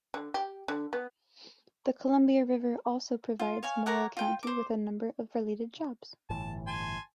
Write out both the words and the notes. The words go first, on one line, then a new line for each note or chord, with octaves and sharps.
The Columbia River also provides Morrow County with a number of related jobs.
D3
G4
D3
B3
F4
C#5 F5 G#5
A#4 C#5 F#5 D6
F4 G5
C5 D6
G1 A2 E3 A5
G#5 A5 C6